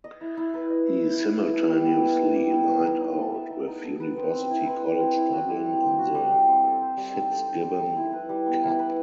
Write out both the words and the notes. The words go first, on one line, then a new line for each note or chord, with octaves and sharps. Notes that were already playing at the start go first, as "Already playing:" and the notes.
He simultaneously lined out with University College Dublin in the Fitzgibbon Cup.
D#5
E4
E4
B4
D#5
E4
E4
B4
E4
A4
G3
B3
E4
A4
G3
B3
E5
D#4
D#4
A4
E5
D#4
D#4
A4
B4
C4
C4
E4
B4
C4
C4
E4
F#4
G3
G3
C4
F#4
G3
G3
C4
A4
C5
G3
D#4
A4
C5
G3
D#4
E4
B4
G3
B3
E4
B4